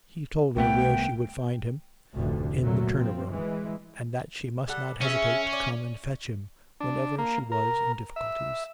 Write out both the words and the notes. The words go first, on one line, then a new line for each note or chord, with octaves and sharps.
He told her where she would find him, in the Turner room, and that she must not hesitate to come and fetch him whenever she was in difficulties.
C2 A3 B3 G5
F1 D2 A2 D3
A#2 F#3 A3
F3 C4
E3 G#3
G3 A4 F#5
C#3 E3 C#4 E5
D5
D4
A#3
A#4
E5